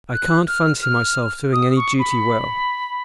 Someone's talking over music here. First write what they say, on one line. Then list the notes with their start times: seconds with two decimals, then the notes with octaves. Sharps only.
I can't fancy myself doing any duty well.
0.13 F#6
0.48 F6
0.83 F6
1.53 D#6
1.77 C#6
1.99 B5